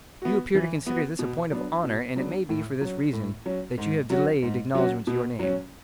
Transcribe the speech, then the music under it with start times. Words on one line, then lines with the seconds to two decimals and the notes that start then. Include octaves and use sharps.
You appear to consider this a point of honor, and it may be for this reason, that you have delayed acknowledging your name.
0.22 B3 F#4
0.55 E3
0.87 B3 F#4
1.19 B2
1.52 F#3 B3 D4
1.84 B2
2.16 F#3 B3 D4
2.49 A2
2.81 F#3 C#4
3.13 A2
3.46 F#3 C#4
3.78 G#2
4.10 F#3 C#4 F#4
4.42 G#2
4.75 F#3 C#4 F#4
5.07 B2
5.39 F#3 C#4